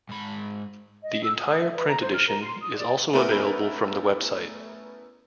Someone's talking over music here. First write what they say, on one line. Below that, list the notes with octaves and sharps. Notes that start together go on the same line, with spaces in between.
The entire print edition is also available from the website.
G#2 B5
D#5
E6
D#6
E5
B4
A#5
C5
F6
A#4
C6
D#6
D5
A3 B3 C#4 E4 A#4 B4